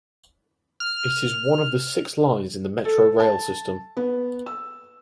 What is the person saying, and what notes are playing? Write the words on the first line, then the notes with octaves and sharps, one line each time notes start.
It is one of six lines in the Metro Rail system.
F6
A4
A5
B3
E6